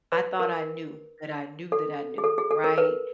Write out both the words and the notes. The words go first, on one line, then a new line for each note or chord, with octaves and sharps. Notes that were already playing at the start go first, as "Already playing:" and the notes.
I thought I knew, that I knew, that I knew, right,
B4
A#4
A4
G#4
A4
G#4
A4
A#4
B4